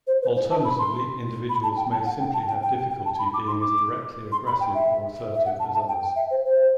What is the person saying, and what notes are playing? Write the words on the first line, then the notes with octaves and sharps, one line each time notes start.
Alternatively individuals may simply have difficulty being as directly aggressive or assertive as others.
C5
B4
C5
A5
B5
C6
B5
A5
G5
A5
F#5
G5
A5
G5
G5
G5
A5
B5
D6
C6
D6
C6
B5
G5
E5
E5
F#5
A5
A5
G5
G5
E5
C5
C5